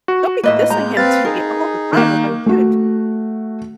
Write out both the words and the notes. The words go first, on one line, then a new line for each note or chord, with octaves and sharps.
don't be dissing him to me all the time. I'm going, “Dude"
F#4
A2 A#3 B4 D#5 E5
G#3 A#5 G6
C4 B4 F5 A6
D#4 G#4 A#4
D#3 A#3 F#6 G6
A3 F#4